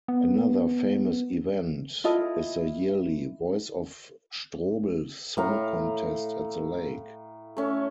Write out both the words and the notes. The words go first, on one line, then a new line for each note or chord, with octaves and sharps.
Another famous event is the yearly "Voice of Strobl" song contest at the lake.
B3
E4 F4 A4 D#5
A2 F5 A#5
A3 C#4